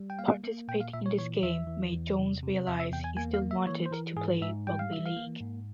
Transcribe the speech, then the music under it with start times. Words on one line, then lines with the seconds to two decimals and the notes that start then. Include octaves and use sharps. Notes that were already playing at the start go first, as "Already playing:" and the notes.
Participating in this game made Jones realise he still wanted to play rugby league.
Already playing: G3
0.10 G5
0.19 A#3 F5
0.43 A#3
0.68 A#2 G5
0.81 F5
0.93 A#2 E5
1.06 C#5
1.19 E3 C#5
1.43 E2 E5
1.67 E3
1.93 E2
2.18 C3
2.43 C3
2.67 E2 E5
2.80 E5
2.92 E2 G5
3.04 G#5
3.17 A#3 G#5
3.34 F5
3.42 A#3
3.51 E5
3.67 E3 C#5
3.86 C5
3.91 E3 A#4
4.16 G#2 G#4
4.41 G#2 E5
4.67 G3 G5
4.79 F5
4.91 E3 E5
5.06 F5
5.17 A#3
5.41 G#2